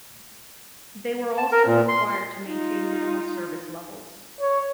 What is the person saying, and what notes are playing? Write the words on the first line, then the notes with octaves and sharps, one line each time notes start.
They were also required to maintain minimal service levels.
A5
A#4
A#2
C6
D#4 F4
C#5